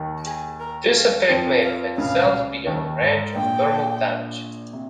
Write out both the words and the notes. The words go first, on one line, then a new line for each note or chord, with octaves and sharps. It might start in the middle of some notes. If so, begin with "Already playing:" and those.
This effect may affect cells beyond the range of thermal damage.
Already playing: D#2 D#3
G#4
A#4
F5
F2 F3 G5
F5
C#2 C#3 F5
D#2 D#3
G#2
A#1 A#2 G5
C3